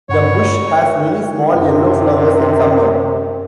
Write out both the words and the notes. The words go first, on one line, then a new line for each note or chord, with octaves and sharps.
The bush has many small yellow flowers in summer.
G2 C#5 F#5 B5
F#2 C3